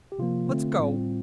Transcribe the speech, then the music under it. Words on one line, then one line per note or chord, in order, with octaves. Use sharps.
"Let's go."
G4
C3 F3 A#3 F4
D3 A3 C4
A2 G3 C4